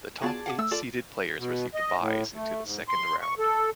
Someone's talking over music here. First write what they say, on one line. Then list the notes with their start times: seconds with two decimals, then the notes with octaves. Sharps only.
The top eight seeded players received byes into the second round.
0.22 B3 F4 F#4 G#4 D5 A5
0.46 F5 F#5 D6
0.59 A3 E6
0.71 F4 A4 D5
1.38 B2
1.74 D#5
1.98 A2
2.34 A3
2.64 G#2
2.88 C6
3.21 C#6
3.39 A4